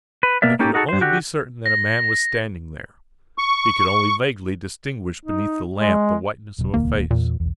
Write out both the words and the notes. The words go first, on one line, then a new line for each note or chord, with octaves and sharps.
He could only be certain that a man was standing there, he could only vaguely distinguish beneath the lamp the whiteness of a face.
B4
B2 A#3 A#4 D5 E5
A#3 C#4 D#4 G4 A4
D#4 F#4 G#4 A4
G2 C5
D3 F#4 G4
A#6
C#6
D#4
G#3
E1 B2 F#3
D#1 C#2 D#3 A#3
E2 A#2
B1 E2